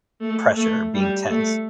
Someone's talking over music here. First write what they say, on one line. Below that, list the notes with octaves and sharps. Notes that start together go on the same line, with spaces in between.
pressure, being tense?
A3
A3
G3
A3